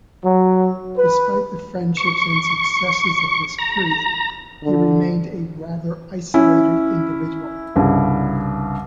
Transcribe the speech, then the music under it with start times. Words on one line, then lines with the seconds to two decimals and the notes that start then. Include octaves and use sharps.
Despite the friendships and successes of this period, he remained a rather isolated individual.
0.24 F#3
0.97 B4
1.97 C#6
3.59 A#5
4.63 D3
6.34 C#4 E4
7.76 C2 G2 C#3